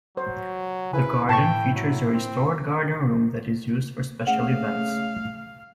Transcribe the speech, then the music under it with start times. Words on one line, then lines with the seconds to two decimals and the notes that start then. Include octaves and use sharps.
The garden features a restored garden room that is used for special events.
0.17 F#3 C5
0.93 C#3 E4 B4 G#5
1.29 A2 G5 A5 C#6
1.75 F#3
2.14 C4
4.27 C#3 A3 F5 F#5